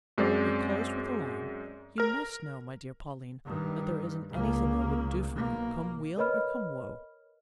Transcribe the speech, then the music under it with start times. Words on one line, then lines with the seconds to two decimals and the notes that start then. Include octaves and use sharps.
It closed with the line, "you must know, my dear Pauline, that there isn't anything I wouldn't do for you, come weal or come woe."
0.18 F#2 G#3 C4 C5 D5
1.98 A#4 F6
3.45 G2 D#3
4.30 C#2 A#3
5.32 B1 A#3
6.17 A#4 B4 C#5 D#5 B5 F6